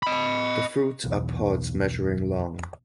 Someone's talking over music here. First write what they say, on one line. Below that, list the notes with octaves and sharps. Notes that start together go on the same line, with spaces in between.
The fruits are pods measuring long.
D#5 B5
B1 E2